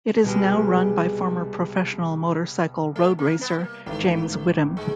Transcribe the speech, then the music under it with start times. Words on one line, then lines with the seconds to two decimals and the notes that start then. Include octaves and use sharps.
It is now run by former professional motorcycle road racer James Whitham.
0.24 C2 B2 G3 G#3
2.96 A3
3.19 A#3
3.41 B3
3.59 B3
3.64 A#3
3.86 A1 G#2 D#3 A3
4.77 G#3